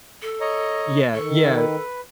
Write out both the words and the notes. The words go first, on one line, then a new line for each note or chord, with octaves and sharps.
Yeah, yeah.
A4
C#5 D#5 A#5
D#3 A4 C#6
E5
B4